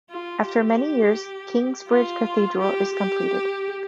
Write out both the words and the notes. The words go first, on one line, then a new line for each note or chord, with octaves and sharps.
After many years, Kingsbridge cathedral is completed.
F4
G4
F4
G4
G4